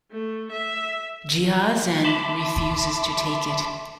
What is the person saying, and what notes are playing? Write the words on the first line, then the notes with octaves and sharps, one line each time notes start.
Jiazhen refuses to take it.
A3
E5
E5 A5 B5 C6 D6